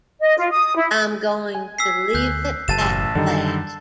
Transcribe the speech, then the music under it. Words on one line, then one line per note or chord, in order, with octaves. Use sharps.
I'm going to leave it at that.
D#5
F4
D#6
E4
G#5
E6 B6 C7
D2 F#6 G6
F#1 A5 A6 E7
A1 E6
F#2 D3 D#3 G3 D#4